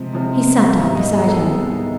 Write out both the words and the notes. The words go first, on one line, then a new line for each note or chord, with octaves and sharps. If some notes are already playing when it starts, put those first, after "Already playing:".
He sat down beside her.
Already playing: C3 F3 G#3 C4
C3 F3 G#3 C4
F5
G#2 D#3 G3 B3 E5
D#5
G#4
A4
G#2 D#3 G3 B3 A4